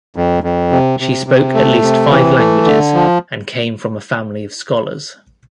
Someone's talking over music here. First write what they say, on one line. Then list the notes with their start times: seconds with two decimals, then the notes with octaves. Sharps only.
She spoke at least five languages and came from a family of scholars.
0.16 F2
0.43 F2
0.72 C3
1.00 C3
1.26 C3
1.54 A3
1.82 C3
2.11 E3
2.38 A3
2.66 D3
2.94 F3